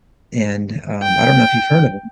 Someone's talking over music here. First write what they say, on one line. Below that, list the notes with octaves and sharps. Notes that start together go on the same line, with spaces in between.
and, um I don't know if you've heard of him.
G5